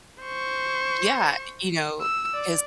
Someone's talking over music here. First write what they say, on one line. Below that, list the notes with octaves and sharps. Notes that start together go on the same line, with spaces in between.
yeah, you know, it's,
C5 C#6
E6
D5